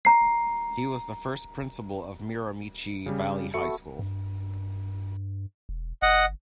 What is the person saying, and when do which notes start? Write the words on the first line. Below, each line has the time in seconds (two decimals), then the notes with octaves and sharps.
He was the first principal of Miramichi Valley High School.
0.05 A#5 C7
3.06 C#3 G3
3.54 A3 B3 F#4 C#7
3.99 G2
5.69 E1
6.02 G1 D#5 F#5